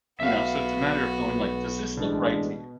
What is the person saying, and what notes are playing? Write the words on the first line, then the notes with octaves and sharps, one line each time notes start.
You know, so it's a matter of going like, "Does this look right to you?"
B1 B3 F#4 E5 F5
A1 B2 G#3 D4